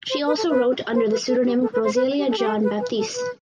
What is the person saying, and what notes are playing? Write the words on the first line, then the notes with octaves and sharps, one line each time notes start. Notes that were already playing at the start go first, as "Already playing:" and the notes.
She also wrote under the pseudonym Roselia John Baptiste.
C5
B4
A4
B4
C5
B4
A4
G4
A4
B4
C5
B4
G4
A4
G4
A4
B4
B4
A4
B4